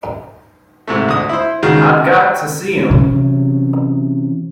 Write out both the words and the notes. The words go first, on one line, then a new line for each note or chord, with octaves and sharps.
I've got to see him.
G#2 C3 A3
D2 D#6
E4 C5
C#2 D#3 G#3 F#4 G#4 F6
C3 E3 F#3 C#4